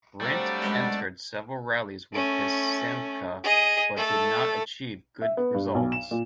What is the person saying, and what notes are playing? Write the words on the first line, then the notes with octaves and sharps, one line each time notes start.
Rindt entered several rallies with his Simca but did not achieve good results.
F#3 G3 A3 C4 D4 D5 F5
F#2 G#3 B3 F#5
A3 C#4
G#4 D#5
A3 A4
E5
B3
G2
B1
E7
A#2